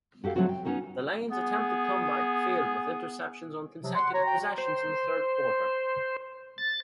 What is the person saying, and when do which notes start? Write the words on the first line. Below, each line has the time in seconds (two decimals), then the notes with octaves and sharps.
The Lions attempted comeback failed with interceptions on consecutive possessions in the third quarter.
0.24 F#4 G4 A4 F5
0.36 D3 F#3 A3 C4 F4 F#4
0.49 G5
0.65 B3 C#4 D#4 F#4 A#4
1.31 B3 G#4
3.83 C3 F3 F#3
3.95 F#5 C6
4.14 F#4 C#5 A#5
4.26 G5
4.58 C5
6.58 A6